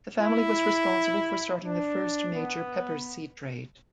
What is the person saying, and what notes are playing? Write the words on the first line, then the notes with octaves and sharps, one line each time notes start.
The family was responsible for starting the first major pepper sea trade.
E4
D4
B3